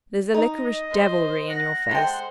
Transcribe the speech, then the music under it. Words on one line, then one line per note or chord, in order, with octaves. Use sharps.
There's a liquorish devilry in your face.
D#4 D#5
C5
F#5 A#6
G#3 A4 C5 F#5 G5